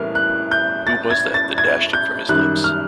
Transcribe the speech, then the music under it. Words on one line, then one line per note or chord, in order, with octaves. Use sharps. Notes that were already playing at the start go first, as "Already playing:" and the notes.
Who was that, that dashed it from his lips?
Already playing: A2 E3 G3 A#3 F6
F#6
G6
A6
G#6
A6
G#6
G6
F#2 D#3 G3 F#6
F6